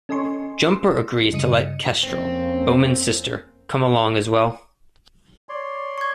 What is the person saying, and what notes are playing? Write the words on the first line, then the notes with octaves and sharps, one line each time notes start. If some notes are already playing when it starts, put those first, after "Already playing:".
Jumper agrees to let Kestrel, Bowman's sister, come along as well.
C#4 A4 D#5 G#5 C6 C#6
C6 E6
G2 C#3 D#5 C#7 D#7
F2 A#3 C4 C#4
C#5 D5 C6
C#6 G#6